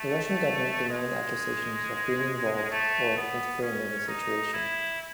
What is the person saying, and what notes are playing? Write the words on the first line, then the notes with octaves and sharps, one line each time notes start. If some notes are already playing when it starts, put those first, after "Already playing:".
The Russian government denied accusations of being involved or of interfering in the situation.
Already playing: A3
G#3
A3
B3
C#4
D#4
E4